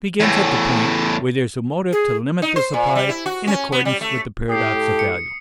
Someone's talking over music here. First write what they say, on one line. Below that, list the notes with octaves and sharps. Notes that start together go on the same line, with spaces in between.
It begins at the point where there is a motive to limit the supply in accordance with the paradox of value.
E2 A2
G#4
D#4
C5
A#2
G3
E4
F#4
C#4
B3
G3
A3
A2 G4 A4 D#6 C7
C#7